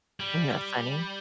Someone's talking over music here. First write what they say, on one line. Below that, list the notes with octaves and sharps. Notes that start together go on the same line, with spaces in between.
Isn't that funny?
G3